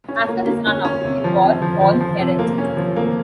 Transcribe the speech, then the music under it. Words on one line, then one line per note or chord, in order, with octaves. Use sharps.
After this run-out, it wall all Herath.
C#4
A#3
A#3
C#4
C#4
C3
F3
C3
F3
F3
F3
C3
A#3
C#4
F3
A#3